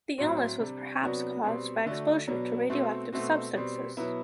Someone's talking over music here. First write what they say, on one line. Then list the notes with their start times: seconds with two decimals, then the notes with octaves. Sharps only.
The illness was perhaps caused by exposure to radioactive substances.
0.18 A2 F#3 C4 F#4
0.59 C3 G3 D4
1.01 C3 F#3 B3 D4 F#4
1.44 B2 G3 C4
1.86 D3 A3 D4 F#4
2.28 B2 F#3 B3 D4
2.69 B2 A3 C4 F#4
3.13 B2 A3 C4 F#4
3.54 B2 G3 C4
3.97 B2 F#3 B3 E4